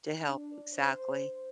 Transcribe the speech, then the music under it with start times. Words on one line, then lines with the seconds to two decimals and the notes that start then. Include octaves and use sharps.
to help Exactly.
0.21 D4
0.72 C5